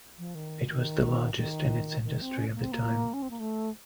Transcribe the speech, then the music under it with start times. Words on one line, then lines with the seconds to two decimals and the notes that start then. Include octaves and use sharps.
It was the largest in its industry at the time.
0.18 F3
0.35 D#3
0.69 D#3
1.36 D#3
2.04 D#3
2.21 C4
2.38 C#4
2.55 A#3
2.63 C4
2.72 A#3
3.14 C#4
3.22 C4
3.30 A#3
3.39 A3